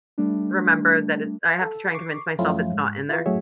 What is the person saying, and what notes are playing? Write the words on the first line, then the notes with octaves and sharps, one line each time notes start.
remember that it I have to try and convince myself it's not in there.
G3 A3 D4
A4
C#6 D6 C7
F#2 F3 A3 C#4 E4 F4
G#2
E4 F4 B4
F#2 A2 F#4 G#4 C#5 E5